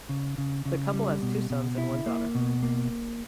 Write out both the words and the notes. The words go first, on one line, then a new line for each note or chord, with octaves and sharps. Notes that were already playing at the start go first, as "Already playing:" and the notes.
The couple has two sons and one daughter.
C#3
C#3
C#3
G3
B2
B2
E4
A#3
B2
A#3